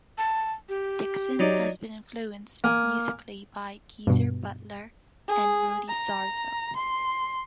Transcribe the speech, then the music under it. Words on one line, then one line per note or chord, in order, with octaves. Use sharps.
Dixon has been influenced musically by Geezer Butler and Rudy Sarzo.
A5
G4
F#3 D#4 D5
A#3 G#5
G2 B2
G#4
A#5
C6